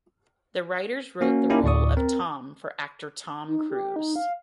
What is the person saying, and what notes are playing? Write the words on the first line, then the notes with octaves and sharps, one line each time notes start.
The writers wrote the role of Tom for actor Tom Cruise.
A#3 C#4 F#4
A#3 C#4 D#4 E4 G4
D2 A2 D5 C#6 D#6
C4 A#4
D#4
G4
D#4
F5